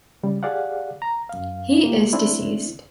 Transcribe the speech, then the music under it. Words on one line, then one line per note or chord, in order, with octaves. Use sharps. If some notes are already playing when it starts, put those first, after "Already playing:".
He is deceased.
C#3 G3
G4 G#4 D5 F5 F#5
A#5
F#2 F5
A#3 G4
A3 C4 D4 E4